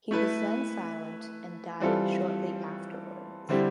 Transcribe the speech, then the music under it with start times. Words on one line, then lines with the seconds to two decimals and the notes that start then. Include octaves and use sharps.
He was then silent and died shortly afterwards.
0.11 A3 E4 B4
1.80 E3 G3 C4 F4 A4
3.49 D3 G3 C4 E4 G4